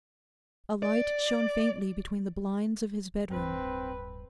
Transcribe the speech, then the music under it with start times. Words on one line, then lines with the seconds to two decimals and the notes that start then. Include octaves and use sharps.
A light shone faintly between the blinds of his bedroom.
0.83 D5
3.30 D1 G2 C4 B4